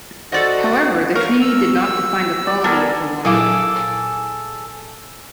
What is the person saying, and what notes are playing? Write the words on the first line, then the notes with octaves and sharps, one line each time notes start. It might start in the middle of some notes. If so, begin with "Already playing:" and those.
However the treaty did not define the quality of the water.
F#4 A4 C5 D5 D#5 F#5
A#4 C#5 F5
E6
D5
B3 A4 A#4 D5 G#5
A#2 F#3 E4 G#4 A4 F5 D6 G#6